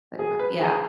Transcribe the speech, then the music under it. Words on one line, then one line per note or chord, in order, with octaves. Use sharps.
The prob yeah.
G#4
B4
G#4